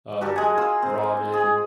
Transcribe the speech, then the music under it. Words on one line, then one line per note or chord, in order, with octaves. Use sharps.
um, ramen;
F#4 G4 A4 A#4
G#3 G#5
F4 E6
C4
G#4